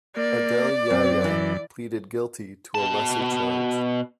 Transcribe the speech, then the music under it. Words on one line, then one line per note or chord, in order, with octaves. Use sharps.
Adel Yahya pleaded guilty to a lesser charge.
A#3 D5
F#2 C4
E3
B2 A5